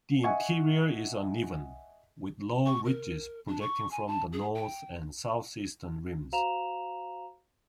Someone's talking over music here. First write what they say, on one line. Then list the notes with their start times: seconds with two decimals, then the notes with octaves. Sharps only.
The interior is uneven, with low ridges projecting from the north and southeastern rims.
0.24 D#5 E5 F#5 G#5 C#6
2.66 C#6
2.85 A#4
3.48 D4
3.61 C#6
3.91 G#5
4.07 A5
4.33 G#4
4.55 G5
6.32 F#4 C5 F5 A#5 E7 F7